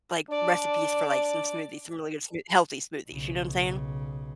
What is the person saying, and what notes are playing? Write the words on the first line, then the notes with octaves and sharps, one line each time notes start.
like, recipes for, like, some smoothies, some really good smooth healthy smoothies, you know what I'm saying?
D4 D5
B1 C#3